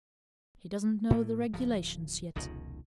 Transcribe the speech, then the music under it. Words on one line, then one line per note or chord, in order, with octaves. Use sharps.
He doesn't know the regulations yet.
A2 A3 A#3
D1 F3
F1 C#2 B2 D#3